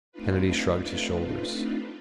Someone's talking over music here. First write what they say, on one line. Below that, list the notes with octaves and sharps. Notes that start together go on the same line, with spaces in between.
Kennedy shrugged his shoulders.
A3 C4 D4 D#4 F4 B4